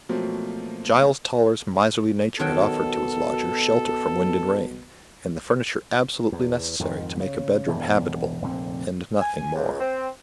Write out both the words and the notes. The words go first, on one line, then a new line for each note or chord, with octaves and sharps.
Giles Toller's miserly nature had offered to his lodger shelter from wind and rain, and the furniture absolutely necessary to make a bedroom habitable--and nothing more.
B2 F3 F#3 A3 A#3 C4
B2 D#3 F#3 A4 G5
E2
F2 G#2 D3 D#3
C#3
E1 E2 G2
F1 A#1 D3 C4
G#5
C#2
C4